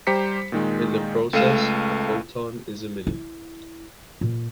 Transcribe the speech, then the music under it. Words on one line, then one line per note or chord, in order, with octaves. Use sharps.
In the process, a photon is emitted.
G3 G4 C5 A#5 B6 C#7
A#2 D#3 G#3
C#2 A3 A4 F5 D#7 E7
E4
A#2